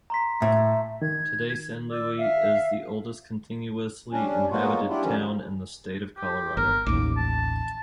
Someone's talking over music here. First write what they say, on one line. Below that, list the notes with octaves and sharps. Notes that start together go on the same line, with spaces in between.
Today, San Luis is the oldest continuously inhabited town in the state of Colorado.
A#5 C6 B6
A2 A3
D#3 G#6
D5 D6 E6
E5 F5
G3 C#4 D4
F#3 G#3 A#3 B3 F4 F#4
D4 E4 F4 G4
D3 D#3 F3 G3 C#4
G4
G1 A#4
A1 D#2 D6
A5